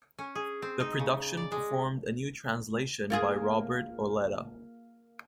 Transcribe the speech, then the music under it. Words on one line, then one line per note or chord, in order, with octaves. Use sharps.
The production performed a new translation by Robert Auletta.
C#4
G#4
C4
D#4
C#3
D5
G#3
A#3 F4 G#4